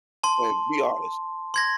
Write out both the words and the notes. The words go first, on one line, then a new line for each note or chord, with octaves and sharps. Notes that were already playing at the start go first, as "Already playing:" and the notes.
Like, be honest.
A5 C6
C6 G#6 A#6